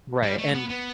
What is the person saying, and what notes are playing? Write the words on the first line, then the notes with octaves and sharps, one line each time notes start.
Right, and,
G3
A3
B3
B3